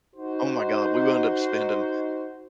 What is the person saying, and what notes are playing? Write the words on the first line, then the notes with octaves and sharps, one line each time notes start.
Oh my god. We wound up spending
D#4 F#4 C5